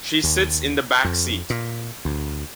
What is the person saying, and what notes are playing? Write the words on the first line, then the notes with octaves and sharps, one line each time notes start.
She sits in the backseat.
D#2
F2
A#2
D2